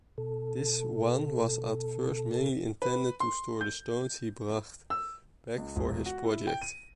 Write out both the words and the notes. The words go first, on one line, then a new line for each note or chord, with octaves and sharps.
This one was at first mainly intended to store the stones he brought back for his project.
B2 A4
B4
C6
G6
E6
C#2
E1
F#4
E4
G5
D#7